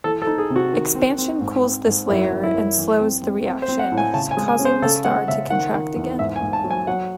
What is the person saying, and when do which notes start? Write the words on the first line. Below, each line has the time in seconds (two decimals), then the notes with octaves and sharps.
Expansion cools this layer and slows the reaction, causing the star to contract again.
0.04 E3 A4
0.22 A4
0.27 D#4
0.38 G#4
0.50 C3
0.56 F#4
0.73 D#3
0.95 C4
1.18 C4
1.41 G#2
1.63 C4
1.87 G#2
2.08 F#2 E4
2.32 F#2
2.43 E4
2.54 F#2
2.78 E3
3.00 C4
3.23 C4
3.45 C4
3.62 C5
3.68 C4
3.79 F#5
3.92 A2
3.98 G#5
4.14 C#3 A5
4.31 G#5
4.37 G#3
4.48 G#5
4.59 C#4
4.65 C5
4.82 C#3 A4
5.05 G#3 F#5
5.28 C#3 E5
5.50 D#3 F#5
5.74 D#3
5.96 E2
6.19 G#2 E5
6.36 G#5
6.42 G#2
6.53 A5
6.64 F#3
6.71 G#5
6.87 F#3 F#5